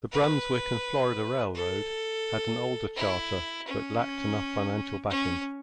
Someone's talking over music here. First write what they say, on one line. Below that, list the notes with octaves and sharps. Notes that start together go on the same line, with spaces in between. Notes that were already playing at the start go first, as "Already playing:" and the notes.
The Brunswick and Florida Railroad had an older charter, but lacked enough financial backing.
B4
A4
E4
C#4
C#4